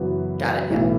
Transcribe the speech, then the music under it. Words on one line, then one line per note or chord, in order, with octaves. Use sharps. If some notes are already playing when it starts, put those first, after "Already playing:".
Got it, yeah.
Already playing: F#2 C#3 E3 B3 F#4
B1 A2 E3